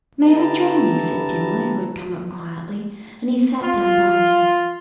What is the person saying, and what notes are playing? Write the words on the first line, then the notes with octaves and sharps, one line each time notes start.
"May I join you?" said Dimmler who had come up quietly, and he sat down by them.
D3 B3 E4 G4 A5 A#5
F4